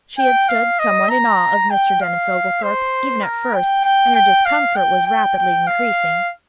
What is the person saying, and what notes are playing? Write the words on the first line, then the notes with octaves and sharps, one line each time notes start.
She had stood somewhat in awe of Mr. Denis Oglethorpe, even at first, and her discomfort was rapidly increasing.
G5
F5
D#5
A#5
G5
F5
C5
A#4
G5
G5
G5
F5
G5
G5
G5
F5